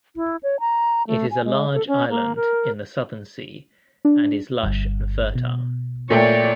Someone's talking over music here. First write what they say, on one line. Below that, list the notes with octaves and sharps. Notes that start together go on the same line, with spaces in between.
It is a large island in the Southern Sea and is lush and fertile.
E4
C#5
A#5
A3
G#5
G#3
A4
C#4
A#3
A#4
D4
G1 G2
B2
A#2 A3 C#5 D5 G5 A6